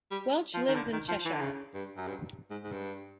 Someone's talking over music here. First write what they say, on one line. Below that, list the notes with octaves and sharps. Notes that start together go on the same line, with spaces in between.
Welch lives in Cheshire.
G3
F3
D#3
D3
D#3
F3
E3
D3
C#3
G2
F#2
G2
G#2
G#2
G2